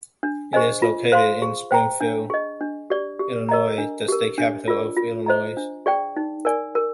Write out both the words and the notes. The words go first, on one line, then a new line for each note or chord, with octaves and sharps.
It is located in Springfield, Illinois, the state capital of Illinois.
D4
G#4 C5 D#5 G#5
F4
C5 F5 C6
G#4
C5 G5 A#5
D4
G#4 D#5
D4
G4 D5
G4
A#4 D#5 A#5
D4
G4 A#4
D4
F4 A#4 D5
F4
C5 D#5 A#5
D4
G#4 D5 G5
D#4
A#4 D5 G#5
A#4